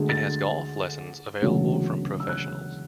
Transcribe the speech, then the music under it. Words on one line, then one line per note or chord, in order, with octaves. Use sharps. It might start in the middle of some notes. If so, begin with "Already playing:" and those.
It has golf lessons available from professionals.
Already playing: D2 D3 G#3
A6
E1 D2 C#3 F#3
E6
F#6